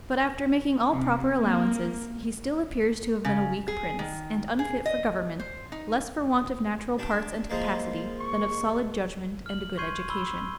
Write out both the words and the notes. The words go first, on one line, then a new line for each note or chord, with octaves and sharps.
But after making all proper allowances, he still appears to have been a weak prince, and unfit for government, less for want of natural parts and capacity, than of solid judgment and a good education.
C3
A#3
C#3
G#4
D#3
G#4
D#5
C5
D#4
G3 D4
F3 G#3 A#3
C#6
F6 F#7
C6 C#6 G6 G#6 C7 D#7
B5 C6 E6 G7